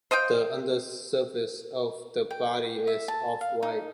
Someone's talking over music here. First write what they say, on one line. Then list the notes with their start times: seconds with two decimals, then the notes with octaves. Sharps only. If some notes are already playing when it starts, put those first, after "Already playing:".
The undersurface of the body is off-white.
0.11 C5 D#5 F5 G5
2.31 G5
2.87 E5
3.08 A5
3.41 F5
3.63 D#4